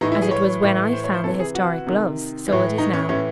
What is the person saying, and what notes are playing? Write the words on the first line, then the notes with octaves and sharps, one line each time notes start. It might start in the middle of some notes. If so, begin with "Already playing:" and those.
As it was when I found the historic gloves, so it is now.
A2 E3 D#4
E4
G#4
C#5
A2 E3
C5
C#5
C5
C3 E3 A4
G#4
F#4
C3 D#3
A2 E3
D#4
C#4
A2 E3 C#4